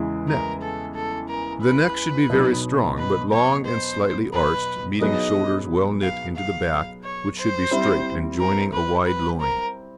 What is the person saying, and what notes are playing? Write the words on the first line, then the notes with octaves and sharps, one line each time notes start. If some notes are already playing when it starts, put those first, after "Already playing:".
NECK--The neck should be very strong, but long and slightly arched, meeting shoulders well knit into the back, which should be straight and joining a wide loin.
Already playing: E2 C#3 E3 G#3
A#4
A4
A4
A#4
B4
B2 F#3 B3 D#4
B4
C#5
C5
B4
F#3 B3 D#4 G#4 B4 D#5
F5
F5
C#5
C5
G3 C4 E4
A#4
B4
B4
A#4